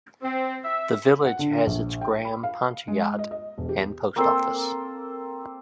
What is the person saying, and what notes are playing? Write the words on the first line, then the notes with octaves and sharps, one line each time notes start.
The village has its Gram Panchayat and Post Office.
C4
E5
F#5
D3
A#1
G5
B5
F5
G#3
D#5
D#5
E1
G4
A#3 C4 A4 C6